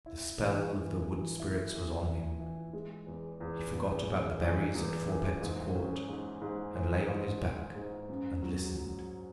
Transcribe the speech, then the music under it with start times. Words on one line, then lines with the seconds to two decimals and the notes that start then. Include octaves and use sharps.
The spell of the wood spirits was on him; he forgot about the berries at fourpence a quart, and lay on his back and listened.
0.06 E4
0.39 E3
0.72 E3
1.06 E3
1.40 E4
1.73 E3
2.06 E3
2.40 E3
2.73 G#3
3.07 E2
3.40 E2
3.74 E2
4.08 E2
4.41 E3
4.75 E2
5.08 E3
5.41 G#2
5.75 C#4
6.08 G#2
6.42 G#2
6.75 E3
7.09 G#2
7.42 G#2
7.75 G#2
8.09 F#2
8.43 F#3
8.76 F#3